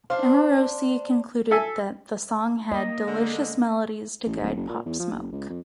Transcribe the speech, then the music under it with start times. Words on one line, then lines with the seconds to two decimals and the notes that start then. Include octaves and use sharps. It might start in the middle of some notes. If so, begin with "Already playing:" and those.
Amorosi concluded that the song had "delicious melodies to guide Pop Smoke".
0.10 D4 C5 F5
1.51 A4 E5 G#5
2.72 A#3 D#5
3.07 D3 G#3
4.26 A1
4.41 D1
4.57 F#1
4.69 A#2
4.85 E2
4.99 F3
5.12 F#1
5.32 C#2
5.50 F2